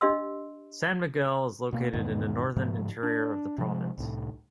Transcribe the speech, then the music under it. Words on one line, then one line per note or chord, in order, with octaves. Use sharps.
San Miguel is located in the northern interior of the province.
D4 G4 D#5 F5 C6 E6
B2 A#3
E2 G#2 B2 D#3
G#2 C#3 F3 A3
D4
C3 F3 G#3
C2 A2